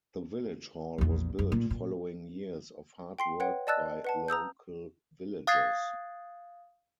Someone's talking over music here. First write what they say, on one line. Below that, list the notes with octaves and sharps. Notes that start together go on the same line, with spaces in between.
The Village Hall was built following years of hard work by local villagers.
A#1 E2
F#2
A#2
A#2
G5 C6 C7
B4 C#5 F#5 G5
D5 D#5 A5 E6 F#6 A6
B4 F#5 A5
A#5 D#6 E6 G6
F5 D#6 F#6 G#6 A6 C7